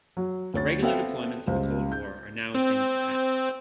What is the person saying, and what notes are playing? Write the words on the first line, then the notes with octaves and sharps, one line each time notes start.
The regular deployments of the Cold War are now a thing of the past.
F#3
D2 C#5 A6
B3 C4 A4 E5 F5 G5
C#2 G3 C5
G6
C4